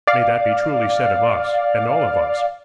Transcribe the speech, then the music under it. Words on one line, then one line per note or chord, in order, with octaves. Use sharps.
May that be truly said of us, and all of us!
D5 F5